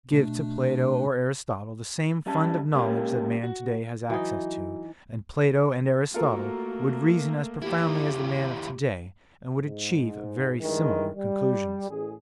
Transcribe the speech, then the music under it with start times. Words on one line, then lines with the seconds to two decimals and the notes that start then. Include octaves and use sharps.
Give to Plato or Aristotle the same fund of knowledge that man to-day has access to, and Plato and Aristotle would reason as profoundly as the man of to-day and would achieve very similar conclusions.
0.12 B2 A3 D4
2.26 F#3 G3 C#4 A5
2.74 B1 G#3 A#3 C#4 G4 G5
3.43 F#4
4.10 E3 F#3 D#4
6.14 A3 A#3 F4 F#4 A4 A#4
7.62 D#2 E3 E4 G4
9.62 G#2
10.60 G2 D#3 E3 G#3
11.16 G3
11.89 A1 G#4